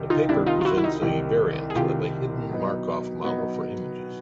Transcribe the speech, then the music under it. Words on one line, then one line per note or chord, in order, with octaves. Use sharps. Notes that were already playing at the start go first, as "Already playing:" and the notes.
The paper presents a variant of a hidden Markov model for images.
Already playing: C2 C3 D#3
D#4 F4
C2 C3 D#3 D4 E4
D#4 F4
F4
E4 F#4
E4
D#4
C2 C3 D#3
G#4
C2 C3 D#3 F4 G4
B2 F#3 B3 D#4
B2 F#3 B3 D#4